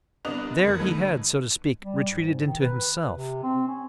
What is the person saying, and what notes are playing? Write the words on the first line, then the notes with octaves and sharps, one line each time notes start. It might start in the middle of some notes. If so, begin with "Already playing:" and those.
There he had, so to speak, retreated into himself.
C2 B3 D4 D#5 F#6 F7
F#1 G#6
D3 G#3 A3 D#4 G#4 B4
G3
G#2
D#3
B4
C3
C4
C#4